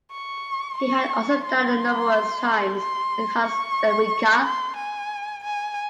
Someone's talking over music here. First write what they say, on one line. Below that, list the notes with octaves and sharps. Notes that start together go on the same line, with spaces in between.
He had also dined numerous times with Hans Ledwinka.
C#6
C#6
C6
C6
C#6
C6
G#5
G#5